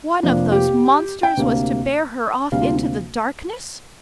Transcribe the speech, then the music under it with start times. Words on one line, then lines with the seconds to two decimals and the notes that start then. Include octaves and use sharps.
One of those monsters was to bear her off into the darkness?
0.23 F1 F2 F3 A#3 D4
0.52 G4
1.23 G5
1.37 D2 C3 A#3
2.52 D2 C3 G3 A#3 F5
2.62 F4